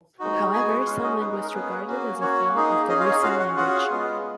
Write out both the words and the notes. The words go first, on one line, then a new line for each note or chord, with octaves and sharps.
However, some linguists regard it as a form of the Rusyn language.
G#3 D#4 F#4
G#3 B3 F#4 G#4 G#5
F#5
G#3 C#4 F4 F#4 F5
D#4 D#5
G#3 B3 D#4 G#4 B4
A#4
A#4
A#3 B3 C#4 G#4 B4
A#3 C#4 F#4
A#3 C#4 F#4 C#5
A#3 D#4 G#4
C#4 D#4 G#4 D#5
F4 F5
C#5
D#4 D#5
C#4 F4 F#4 F5
F#4 F#5
C#4 F4 F#4 G#4 F#5
G#3 B3 F4